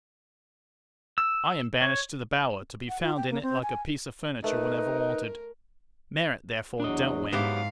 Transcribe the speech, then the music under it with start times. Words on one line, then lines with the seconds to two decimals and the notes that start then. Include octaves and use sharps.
I am banished to the Bower, to be found in it like a piece of furniture whenever wanted. Merit, therefore, don't win.
1.18 E6
1.82 C#5
2.89 F#5
3.01 F4
3.17 G5
3.30 A#3
3.42 C4
3.63 G#5
4.44 A3 D#4 A#4 B4
6.80 E2 F#3 D4 D#5
7.33 G#2 F#3 B3 E4 G4 F5